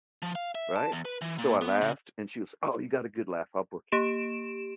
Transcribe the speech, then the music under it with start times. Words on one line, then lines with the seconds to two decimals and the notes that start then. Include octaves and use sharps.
Right, so I laughed and she was, oh, you got a good laugh, I'll book you,
0.22 F3
0.35 F5
0.55 E5
0.76 A5
0.92 E2
1.05 B4
1.21 E3
1.39 A#2
1.62 B3
1.81 C#3
3.92 A#3 G4 D7 E7